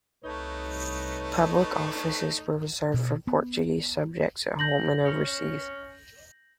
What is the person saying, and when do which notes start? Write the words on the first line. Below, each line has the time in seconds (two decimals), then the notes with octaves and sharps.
Public offices were reserved for Portuguese subjects at home and overseas.
0.24 C2 A3 D#4 B4 C#5
2.94 B2
3.27 B3
4.59 G6 A#6 F#7
5.05 C#4